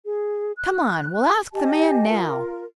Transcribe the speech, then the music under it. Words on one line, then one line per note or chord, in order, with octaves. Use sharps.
"Come on, we'll ask the man now."
G#4
F#6
G4 D#5 G#5 A5
F4 A#4